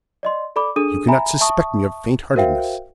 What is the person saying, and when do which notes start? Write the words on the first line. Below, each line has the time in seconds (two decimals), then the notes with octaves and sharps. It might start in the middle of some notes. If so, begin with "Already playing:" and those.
You cannot suspect me of faint-heartedness.
0.23 D5 D#5 C6
0.56 A4 D5 B5 D6
0.76 D4 G#4 A4 D#6 D#7
1.08 E5 G#5 A#5 B5
1.41 E5 A5 C#6 D#6
2.36 F#4 A#4 C5 E5 F5 G5